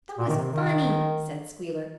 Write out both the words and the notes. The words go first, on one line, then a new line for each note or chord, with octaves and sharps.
"That was funny," said Squealer.
A#2
D#3
C3
D#3